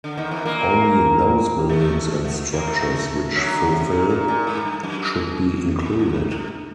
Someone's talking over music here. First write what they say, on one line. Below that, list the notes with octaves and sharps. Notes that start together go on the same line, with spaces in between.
Only those buildings and structures which fulfill should be included.
D3
D#2 D#3
E2 E3
A#2 A#3
A2 A3
A2 A3
A#2 A#3
A2 A3
A2 A3
F#2 F#3
D3
C3
A#2
A#2
A#2
G#2
G2
F#2
G2
G2
G#2
A2
G#2
G2